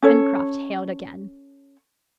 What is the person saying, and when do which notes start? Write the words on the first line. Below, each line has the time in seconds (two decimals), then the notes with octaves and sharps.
Pencroft hailed again.
0.02 C#4 A4 C#5